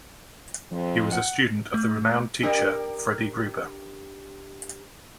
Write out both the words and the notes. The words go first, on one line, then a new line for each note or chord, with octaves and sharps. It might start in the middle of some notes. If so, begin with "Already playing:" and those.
He was a student of the renowned teacher, Freddie Gruber.
F2 F3 C4
F#5
A3
D4 G4 A#4